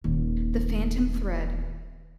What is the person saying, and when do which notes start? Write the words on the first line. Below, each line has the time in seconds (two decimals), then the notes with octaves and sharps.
The Phantom Thread.
0.04 D#1 D#2